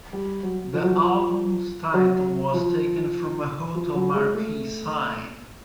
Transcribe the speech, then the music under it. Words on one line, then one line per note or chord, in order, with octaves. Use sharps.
The album's title was taken from a hotel marquee sign.
G3
F#3
F3
F#3
F3
F#3
F3
F3
F#3
G#3
A3